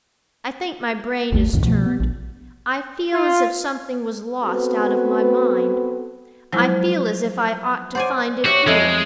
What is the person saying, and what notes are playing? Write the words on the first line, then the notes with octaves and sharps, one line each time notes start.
I think my brain is turned. I feel as if something was lost out of my mind; I feel as if I ought to find it here.
G#1 D#2 B2 A3
C2 F2 G#2 D#3
B2 F3 A3
B3
A#1
F4
B3 C4 F#4 A4 B4
F3 F#3 G#3 E4
C5 D5 F#5 G#5
F#4 G4 C#5 E5
F2 G#3 A4 D#5 E5 C#6